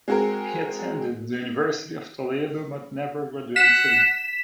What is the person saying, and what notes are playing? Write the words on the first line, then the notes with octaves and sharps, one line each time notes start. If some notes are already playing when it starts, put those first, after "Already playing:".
He attended the University of Toledo but never graduated.
G#3 C4 F#4 G#4 A#4
F#5 B6 E7